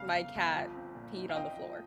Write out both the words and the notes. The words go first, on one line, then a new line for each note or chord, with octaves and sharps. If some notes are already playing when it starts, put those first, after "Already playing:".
my cat peed on the floor.
Already playing: G1 C#3 F5
G1
G1
F3
C4
A#2
D#4
F5
C4 D#5 G5
F3